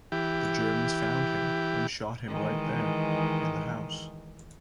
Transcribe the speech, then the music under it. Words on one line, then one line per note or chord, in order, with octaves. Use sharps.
The Germans found him and shot him right there, in the house.
E3 G4
D#3 E3 G#3